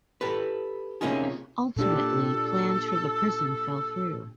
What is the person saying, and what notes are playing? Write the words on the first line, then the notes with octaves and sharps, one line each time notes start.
Ultimately, plans for the prison fell through.
G4 A4 B4
C3 A#3 C#4 D#4 F4 G#4
A#2 D4 G4 A4